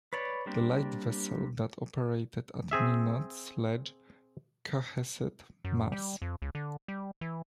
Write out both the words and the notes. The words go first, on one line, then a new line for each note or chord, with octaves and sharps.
The lightvessel that operated at Minots Ledge, Cohasset, Mass.
B4 C#5 D5 B5
G3 A#3 C4 D4 G4
C4 G#4 E5
F#2
G3
F2
C#2
D3
G3
E3